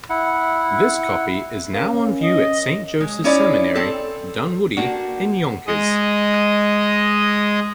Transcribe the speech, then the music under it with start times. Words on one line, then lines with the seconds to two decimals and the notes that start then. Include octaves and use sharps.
This copy is now on view at Saint Joseph's Seminary, Dunwoodie, in Yonkers.
0.10 E4 F#5
1.73 C#4 A#4 F5
2.21 D#5
3.00 G#3
3.24 C#4 D#4 E4 C#5 D5
3.75 C4 A4
4.77 A#3 D4 F#4 G4
5.67 G#3 D#5